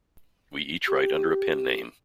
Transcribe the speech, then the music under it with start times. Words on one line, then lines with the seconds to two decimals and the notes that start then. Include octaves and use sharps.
We each write under a pen name.
0.88 G4